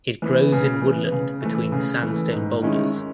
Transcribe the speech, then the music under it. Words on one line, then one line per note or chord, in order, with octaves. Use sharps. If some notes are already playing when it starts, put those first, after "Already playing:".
It grows in woodland between sandstone boulders.
E3 B3
C#3
E3 B3
C#3
E3 A3
C#3
E3 A3
G#2
D#3 G#3 C#4 E4